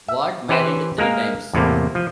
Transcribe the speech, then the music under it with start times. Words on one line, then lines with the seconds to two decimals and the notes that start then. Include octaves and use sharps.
Ward married three times.
0.08 E5
0.49 E3 C#4 G4 B4 C5
0.98 G#3 A#3 A#4 F5
1.53 E2 A2 C3 A#3
1.95 F3